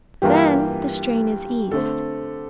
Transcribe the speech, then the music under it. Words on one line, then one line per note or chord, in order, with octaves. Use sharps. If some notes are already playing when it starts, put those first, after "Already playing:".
Then the strain is eased.
G2 E3 A#3 F4 G4 A#4
D3 A3 C4 A4